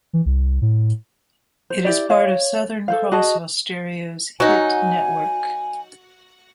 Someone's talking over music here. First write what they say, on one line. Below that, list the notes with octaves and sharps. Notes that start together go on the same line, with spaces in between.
It is part of Southern Cross Austereo's Hit Network.
E3
C2
A2
C5
E4 G4 D5
C#5 F5
A4 C5 F5
F#4 G#4 D#5 A5
F#3 D#4 F#4 G#5